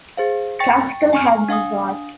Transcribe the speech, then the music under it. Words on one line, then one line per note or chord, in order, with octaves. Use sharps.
Classical had Mozart.
G#4 C5 F5
G5 C#6 A6 A#6 C#7
G#5 C#6 F6
D4 F5 G#5 D#6